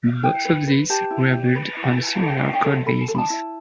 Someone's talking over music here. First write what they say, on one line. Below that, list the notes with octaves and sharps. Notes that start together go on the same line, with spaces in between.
Both of these were built on similar codebases.
E4 G5
B4
B4
G4 A5
E4
G4
B4 B5
E4
B4
A4 A5
D4 E5
G5
A4
A4 B5
A4
B5
A5
E4